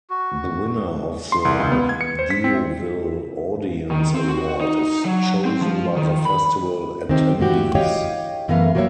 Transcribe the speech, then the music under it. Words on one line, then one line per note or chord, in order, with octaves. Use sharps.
The winner of the Deauville Audience Award is chosen by the festival attendees.
F#4
C6
C2
C#2
B3
G#6
C#7
C5
B6
C4
D#3
C4
F#4
D#4
F#3
C4
F3
D#3
B5
D#3 C4 G4
G2 E3 F#4 G4
G4 C#5 D#5 F5 G5
F#2 E3 A3 B3 A#4 F5
F#3 G3 A#3 B4 C#5 E5